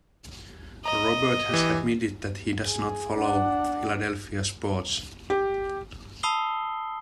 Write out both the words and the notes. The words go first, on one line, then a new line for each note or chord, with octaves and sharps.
Robert has admitted that he does not follow Philadelphia sports.
D#5 A#5
E3 G4
G#4
D4 F#5
G4
A5 B5 D#6 E6 C7 G7